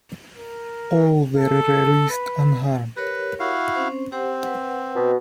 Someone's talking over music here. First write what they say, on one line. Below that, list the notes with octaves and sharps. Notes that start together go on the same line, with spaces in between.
All were released unharmed.
A#4
A4
B4
G4 A#4 B4 C#5
E4 F#4 F5
C4 C#4 C5
C4 G4 C5 F#5
B4 F#5
B2